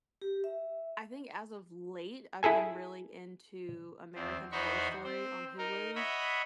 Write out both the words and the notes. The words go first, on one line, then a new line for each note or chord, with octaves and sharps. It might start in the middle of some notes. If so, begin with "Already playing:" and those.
I think as of late, I've been really into American Horror Story on Hulu.
G4
E5
E4 G#4 A4 G#5
E2 C4
E2 D#4 F#4 C5 B5 C#6
C4 C5
D#4 A#4
C#5 D#5 E5 F#5 B5